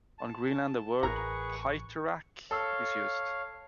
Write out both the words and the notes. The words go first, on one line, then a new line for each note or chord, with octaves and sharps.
On Greenland the word "piteraq" is used.
A5
A1 G#4 A#4 B4 A#5 C#6
A4 C#5 F5 E6